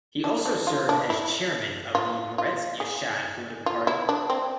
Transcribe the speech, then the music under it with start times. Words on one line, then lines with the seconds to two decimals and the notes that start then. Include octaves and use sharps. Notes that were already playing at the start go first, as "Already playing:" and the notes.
He also served as chairman of the Meretz-Yachad political party.
0.24 D4
0.46 D4
0.67 F4
0.89 D4
1.10 E4
1.95 F4
2.38 F4
2.80 G#4
3.66 F4
3.87 E4
4.09 D4
4.30 C4